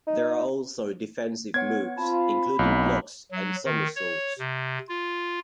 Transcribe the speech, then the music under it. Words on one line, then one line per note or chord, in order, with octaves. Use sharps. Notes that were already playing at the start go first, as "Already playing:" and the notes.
There are also defensive moves including blocks and somersaults.
D#4
B3 C#5 F#5 G#6
C4 F4 A5 B5
B1 B3 C4 D4 D#4
F#3
D#3
C#5
C3
F4